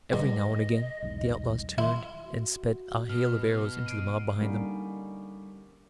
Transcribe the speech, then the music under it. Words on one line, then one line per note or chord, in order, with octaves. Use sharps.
Every now and again the outlaws turned and sped a hail of arrows into the mob behind them.
G2 D#5
B1 E2 G#2
E4 C6
F#4
B2 F6
C7 D7 D#7
D3 G3 A#3 C#4 D#4